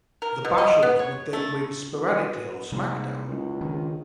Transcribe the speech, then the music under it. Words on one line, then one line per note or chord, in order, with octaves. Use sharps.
The Bashams would then win sporadically on SmackDown!
A#4
B2
D#5
B3
C#5
A3
B2
G#2 C3 G3 A#3
F#1 C#2
A#1 D#3